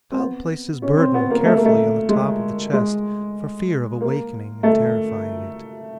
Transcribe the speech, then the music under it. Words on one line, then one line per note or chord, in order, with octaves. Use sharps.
The child placed his burden carefully on the top of the chest, for fear of awakening and terrifying it.
C4
B3
C#4
C4
B3
A#3
A3
A#3
A3
G#3
G#3
A#3
A3